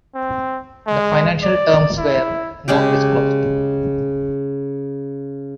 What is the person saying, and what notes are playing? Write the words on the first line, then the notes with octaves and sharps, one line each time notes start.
The financial terms were not disclosed.
C4
G#3
D5
E4
C#3 G#3 C#4 G4